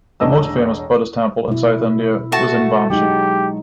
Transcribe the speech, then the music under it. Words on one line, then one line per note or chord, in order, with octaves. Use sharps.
The most famous Buddhist temple in South India was in Vanchi.
E1 A1 D4 D#5 E6
B2 E4
A3 F#4 A5
F#3 G#3 D#4 G4